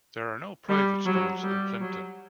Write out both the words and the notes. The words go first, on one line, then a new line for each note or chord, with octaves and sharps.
There are no private schools in Plympton.
G3
F#3
G3
F#3